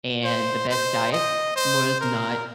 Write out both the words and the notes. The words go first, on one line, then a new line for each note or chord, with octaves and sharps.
and the best diet was not
C5
C5
D#5
C5
A#4